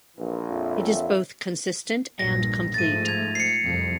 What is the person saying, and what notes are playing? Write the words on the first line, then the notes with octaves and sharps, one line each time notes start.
It is both consistent and complete.
A#1 E3
F2 A#4 C#5 E5
A#1 G2 A#2 A#6
G#2 F3 A3 A6 D#7
G#6 F7
C7 C#7
C2 F2 F3